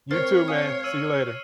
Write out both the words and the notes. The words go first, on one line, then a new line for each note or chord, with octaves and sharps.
You too, man. See you later.
C4 A#4 C5 C#5 F6 A6 C7
F5 G#5 D#6
E6 D#7